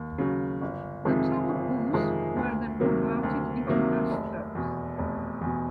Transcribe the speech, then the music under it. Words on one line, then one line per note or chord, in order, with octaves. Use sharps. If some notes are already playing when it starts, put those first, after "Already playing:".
The toll booths were then converted into bus stops.
Already playing: D#2
C#3 F#3
G1
F2 C3 D#3 G#3
G1
F2 C3 D#3 G#3
D2
C3 D#3 F#3 A#3
D2
C3 D#3 F#3 A#3
F1
E2 B2
F1
E2 B2